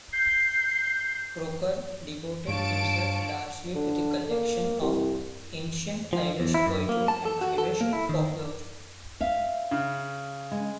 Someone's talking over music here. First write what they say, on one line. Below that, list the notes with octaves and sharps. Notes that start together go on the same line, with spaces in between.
Croker devoted himself largely to the collection of ancient Irish poetry and Irish folklore.
G6 C7
G2 F4 C#5 A5 D7
D3
A#3
C2
F3
E2
E4
F#2
A#3
A5
A4
F#4
A4
A#3
E4
D#3
E5 F5
C#3
G#3